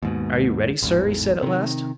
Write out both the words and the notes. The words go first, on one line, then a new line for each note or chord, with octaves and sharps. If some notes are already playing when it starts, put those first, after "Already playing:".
"Are you ready, sir?" he said at last.
D#2 G#2 B2
A1 E2 G#2
C3 D#3